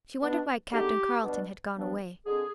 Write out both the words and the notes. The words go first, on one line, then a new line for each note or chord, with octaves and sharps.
She wondered why Captain Carleton had gone away.
B2 B3 D4
D3 G#3 B3 D#4 G4
B2 G3 D4
G2 F3 B3 D4
D3 G#3 C4 D#4 G#4